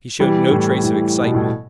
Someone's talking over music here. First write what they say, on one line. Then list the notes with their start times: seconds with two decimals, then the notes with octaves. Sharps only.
He showed no trace of excitement.
0.20 E3 G3
0.51 A2
0.84 A2
1.23 B2
1.35 A2